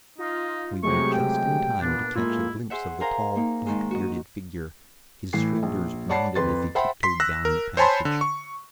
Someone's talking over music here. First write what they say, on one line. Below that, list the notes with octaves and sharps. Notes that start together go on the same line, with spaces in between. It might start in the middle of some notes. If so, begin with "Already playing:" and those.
We were just in time to catch a glimpse of the tall, black-bearded figure, his shoulders rounded as he tiptoed down the passage.
D#4 F4
C3 F#3 G#3 A3 G4 G#4 C#6
G5
A#2 B3 D4
A2 G#3 A#3 E4 F4
G#4 C5 E5 F#5
G#4 A#4 C5 F5 A#5
A#3 D#4
G#2 D#3 G#3
F#4 D#5
A2 E3 C7
A#1
C#5 D5 F#5 A5 B5 C7
F2 B4 C6 A6
C5 E5 F#5 G5 B5 C6
C6 B6
E6 F#6 A#6
A#4
C5 C#5 G#5 A5 B5 C6
D3
C#6